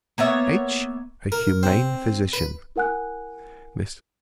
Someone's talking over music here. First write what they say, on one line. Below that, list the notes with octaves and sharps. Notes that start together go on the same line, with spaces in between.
H. a humane physician. MR.
A#3 B3 C#5 E5
A#4
C4
B4
E4 A#4 F#5 G#5 F#6